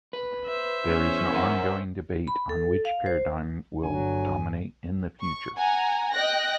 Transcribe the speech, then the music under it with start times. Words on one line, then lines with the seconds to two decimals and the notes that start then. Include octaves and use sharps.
There is an ongoing debate on which paradigm will dominate in the future.
0.13 B4
0.47 C5 E5
0.86 E2 C#4
1.33 A#4 C#5 F#5
2.28 B5
2.49 A4
2.85 F5
3.06 C5
3.83 G1 D3 F#3 G#5
5.20 C#6
5.57 F#5 G#5 A#5
6.13 D#5 G5 F#6 A#6